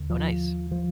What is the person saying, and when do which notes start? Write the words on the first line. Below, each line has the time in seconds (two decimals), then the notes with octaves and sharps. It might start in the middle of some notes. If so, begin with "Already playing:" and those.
Oh, nice.
Already playing: D#2 D3
0.10 F3
0.72 F3